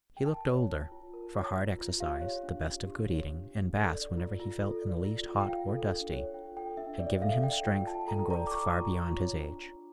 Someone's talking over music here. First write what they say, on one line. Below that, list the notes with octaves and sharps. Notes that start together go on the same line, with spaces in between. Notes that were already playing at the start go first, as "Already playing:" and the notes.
He looked older, for hard exercise, the best of good eating, and baths whenever he felt in the least hot or dusty, had given him strength and growth far beyond his age.
G5
A#4 A5
C#5
F4
F4
A#4
C#5
F4
F4
G4 F5
C#5
D4
D4
G4
C#5
D4
D4
A4
D5
F4
F4
A4
D5
F4
F4
G5
F4 F5
A4
D4
C#5
F4 G5
A4 G5
D4 E5
C#5 D5
E5
A4 F5
D5 G5
F4 G5
F4 A5
A4 A#5
D5 A#5
D6
F4 C#6
F4 A#5
F4
C#5
D4
D4